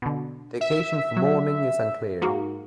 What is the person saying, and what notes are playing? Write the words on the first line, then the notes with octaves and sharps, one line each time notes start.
The occasion for mourning is unclear.
B2 D3
E5
F#3
G#2 A#3 F#4